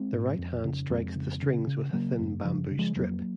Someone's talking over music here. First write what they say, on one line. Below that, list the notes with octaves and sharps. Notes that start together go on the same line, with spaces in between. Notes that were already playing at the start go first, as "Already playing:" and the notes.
The right hand strikes the strings with a thin bamboo strip.
Already playing: G#3 C4
G#2
F2
C#3
F2 G#3 C4
C#3
C#3
C#3
C#3 F#3 A#3
F#2
C#3 F3
C#3
F3 G#3
F2 F#3 A#3